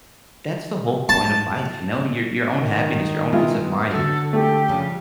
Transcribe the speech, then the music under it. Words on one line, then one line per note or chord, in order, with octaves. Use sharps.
that's the whole point of life, you know, your your own happiness, your own peace of mind.
A5
D#3
G#3 B3 E4 F4
D3 F#4 A4
A3 G4 A4
C#3 F3 G3